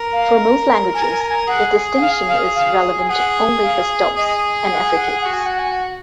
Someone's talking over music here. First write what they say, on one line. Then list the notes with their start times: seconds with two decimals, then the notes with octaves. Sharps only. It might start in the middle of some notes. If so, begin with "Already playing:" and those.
For most languages, the distinction is relevant only for stops and affricates.
Already playing: A#4
0.12 F5
0.94 A#4 G#5
1.02 A#5
1.11 G#5
1.20 A#5
1.29 G#5
1.47 G#4 F#5
1.97 F#5
2.01 F5
2.28 F5
2.55 F5
2.99 G#5
3.08 G#4 F#5
3.62 F5
4.16 G#4 D#5
4.71 F#5
4.83 G#5
4.96 F#5
5.08 G#5
5.21 F#4 F#5
5.33 G#5
5.46 F#5
5.58 G#5
5.70 F#5